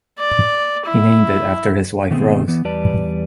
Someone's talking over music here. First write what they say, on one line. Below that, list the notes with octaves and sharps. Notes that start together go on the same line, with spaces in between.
He named it after his wife Rose.
D5
E4
B2 D#3 A3 B3 C4 G#4
E3 B3
E2 G3 B4 D5 A5